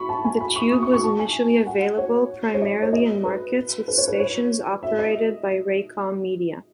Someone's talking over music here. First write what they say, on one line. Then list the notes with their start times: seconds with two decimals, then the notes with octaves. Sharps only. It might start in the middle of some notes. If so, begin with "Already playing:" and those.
The Tube was initially available primarily in markets with stations operated by Raycom Media.
Already playing: B5 C#6
0.09 A5
0.25 G#5
0.40 B5
0.56 C#6
0.72 D#6
0.83 C#6
0.93 C#6
1.03 A5
1.19 G#5
1.67 F#5
1.98 C#5
2.54 C#5
2.62 D#5
2.82 C#5
2.93 D#5
3.25 B4
3.88 B4
3.98 C#5
4.08 B4
4.20 C#5
4.83 E5
4.99 D#5